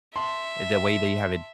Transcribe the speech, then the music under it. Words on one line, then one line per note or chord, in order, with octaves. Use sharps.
The way that you have it
E5 A5 C6